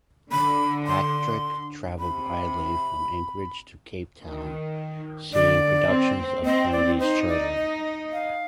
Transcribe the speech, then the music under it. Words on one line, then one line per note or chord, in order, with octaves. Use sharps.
Patrick traveled widely, from Anchorage to Cape Town, seeing productions of Kennedy's Children.
D3 B5
C6
C3 B5
D#3
D3 D5
C4
C4 D#5
D5
D#4 C5
D5
D#5
F5